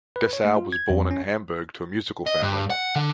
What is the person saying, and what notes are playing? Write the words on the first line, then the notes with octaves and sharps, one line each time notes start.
Dessau was born in Hamburg into a musical family.
B4
C#5
A3
F4
G#6
F2
C#4
D#5
G2
F#5
D3